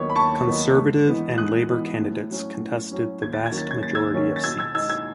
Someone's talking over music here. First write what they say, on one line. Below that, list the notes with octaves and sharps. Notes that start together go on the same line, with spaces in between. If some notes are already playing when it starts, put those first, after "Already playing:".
Conservative and Labour candidates contested the vast majority of seats.
Already playing: D#2 D#3 F#3 B3 D#4 C#5
B5
D#2 A5 C#6
D#3 F#3 B3 D#4
G#2
E3 B3 D#4
G#2 D#6 F#6
E3 B3 D#4
A2
F#3 C#4
A2
F#3 C#4
D#2 G#6
A6
G#6
D#3 F#3 C#4
A6
G#6
D#2 A6
E6 G#6
D#3 F#3 C#4
A6
B2 E6 G#6
E6 G#6
G#3 D#4 E6 G#6
E6 G#6